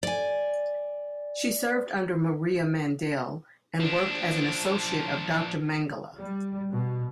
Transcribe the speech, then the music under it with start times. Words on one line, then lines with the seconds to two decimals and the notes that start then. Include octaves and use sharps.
She served under Maria Mandel and worked as an associate of Doctor Mengele.
0.03 D5 G#5
3.80 F3 D4
6.19 G3
6.72 B2